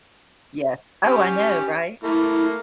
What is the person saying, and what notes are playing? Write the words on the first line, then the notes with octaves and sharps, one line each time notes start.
Yes. Oh, I know. Right?
C#4 G4
A3 A#3 E4